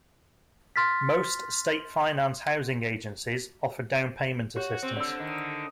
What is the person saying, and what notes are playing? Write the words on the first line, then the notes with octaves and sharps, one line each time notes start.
Most State Finance Housing Agencies offer down payment assistance.
C6 F6 A6 B6
F#4 G4 C#5
C4
D3 D5 E6
D#3